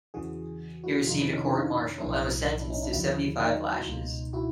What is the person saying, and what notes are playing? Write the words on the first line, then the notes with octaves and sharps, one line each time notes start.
He received a court-martial, and was sentenced to seventy-five lashes.
E2 C#3 E3 F#4 G#4
E4 F#4
F2 C3 D#3 D#4 F4
D4 E4
C#4 D#4
D4 E4
D#4 F4
B1 A2 F3 D4 E4
D4 E4
C#4 D#4
D4 E4
D#2 D3 F3 E4 F#4
D#4 F4
C#2 B2
E4 F#4